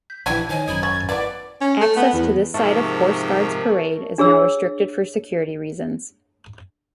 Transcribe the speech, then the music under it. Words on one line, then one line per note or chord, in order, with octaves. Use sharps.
Access to this side of Horse Guards Parade is now restricted for security reasons.
G6 B6
A#1 E3 D4 E4 G4 G#6 B6
D#3 C5 C#5 D#5 G#5
G#1 F#2 A#5 B5 D#6 G#6
C#4 A6
E3 B3 B4 D5 D6 A6
C#4
A3
B3
E2
G#2 C3 F3 A#4 E5 A5 C#6
D4 G#4 C#5 E6